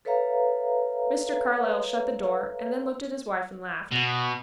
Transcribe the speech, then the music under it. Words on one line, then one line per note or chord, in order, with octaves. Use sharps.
Mr. Carlyle shut the door, and then looked at his wife and laughed.
A4 B4 C#5 E5 F5 A#5
B2